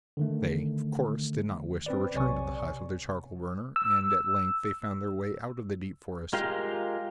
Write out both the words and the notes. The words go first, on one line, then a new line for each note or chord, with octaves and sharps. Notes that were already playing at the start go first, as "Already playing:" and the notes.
They, of course, did not wish to return to the hut of the charcoal burner, and at length they found their way out of the deep forest.
D3 D#3 A3
C4 B4 D5
B1 C3 C#5 D5 G#5 C#6
E6
G#3 F4 G4 A#4 F5